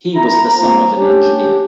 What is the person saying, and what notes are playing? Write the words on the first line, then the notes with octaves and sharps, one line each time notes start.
He was the son of an engineer.
E4 A#5
F3 A#3 C4 F4 A#5
C#4 D4 G4